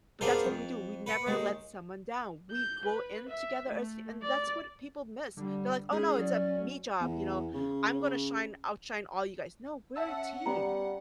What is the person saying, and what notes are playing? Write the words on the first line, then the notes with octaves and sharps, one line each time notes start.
But that's what we do, we never let someone down, we go in together as and that's what people miss, they're like, "Oh, no, it's a 'me' job," you know? "I'm gonna shine outshine all you guys." No, we're a team.
A#3 B3 D4 F4 G#4 C5
F2
B4 F#5
D#2 G#3
G6
B4
E5
A3
D5
D3 G3
G#3 C#4 E4 G#4
F#3 D5
E2
C#3
C#4 E5 F#5 A5 E6
G3 B3 A#5 C#7